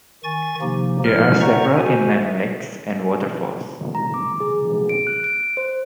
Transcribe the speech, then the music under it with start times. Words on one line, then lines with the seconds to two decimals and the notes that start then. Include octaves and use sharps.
There are several inland lakes and waterfalls.
0.24 D#3 G#5 C#6 A6
0.62 C3 F3 A#3 D#4 G4
1.05 A2 F3 D#4 F6
1.41 C5 D5 E5 F#5 A#5 C#6
1.77 F#4 C5 G#5
2.13 E5
3.95 A#5
4.14 D6
4.40 G#4
4.89 D7
5.07 F#6
5.24 D7
5.57 C5